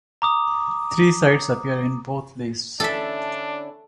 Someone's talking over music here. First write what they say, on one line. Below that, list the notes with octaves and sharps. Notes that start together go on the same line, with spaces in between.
Three sites appear in both lists.
A#5 D6 D#6
D3 C#4 D4 E4 A4 E5